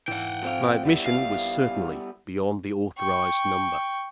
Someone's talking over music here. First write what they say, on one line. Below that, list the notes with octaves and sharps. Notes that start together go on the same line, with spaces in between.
My admission was certainly beyond the authorised number.
G#2 E3 F#5 G5
F3 C4 F5
D#2 G3 B3 E4
G1 F5
D#1
G5 C#6